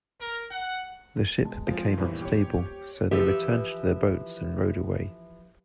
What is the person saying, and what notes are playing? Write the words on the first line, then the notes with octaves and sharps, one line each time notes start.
The ship became unstable, so they returned to their boats and rowed away.
A#4
F#5
B2 G#3 A5
F3 G#3 C4 F4 C5
D#1 E2 G2 D#3 E3 C5
G4 C#5
E3 F3 G4 B4 E5